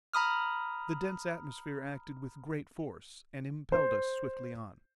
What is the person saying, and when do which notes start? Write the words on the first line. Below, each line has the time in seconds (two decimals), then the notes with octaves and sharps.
The dense atmosphere acted with great force and impelled us swiftly on.
0.13 A#5 B5 D#6 F6
3.72 C5